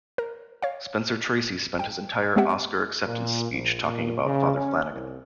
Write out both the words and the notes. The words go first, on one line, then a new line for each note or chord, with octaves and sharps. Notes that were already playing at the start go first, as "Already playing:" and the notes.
Spencer Tracy spent his entire Oscar acceptance speech talking about Father Flanagan.
A#4
C#5 F5
G5
G#3 B3 C4 G4 E5 F#5
A#2
A#1
A#2
C#3
C#4
C2